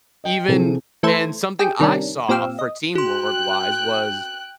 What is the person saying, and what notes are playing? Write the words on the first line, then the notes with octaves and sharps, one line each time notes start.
Even and something I saw for teamwork wise was,
D#5 G5
C3 E3 F3 C4 G#4 A4
E3 A3 A4 C5 G#6
G4 G#4 G5
C3 D#3 G3 C#4 D4
A#2 C4 G4 F5 E6
D#5
F#4 G5 C6 F#6